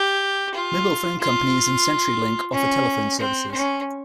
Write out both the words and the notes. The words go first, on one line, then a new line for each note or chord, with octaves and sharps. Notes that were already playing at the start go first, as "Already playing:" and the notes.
Mobile phone companies and Century Link offer telephone services.
Already playing: G4
F4
F4
C#4
C4
C#4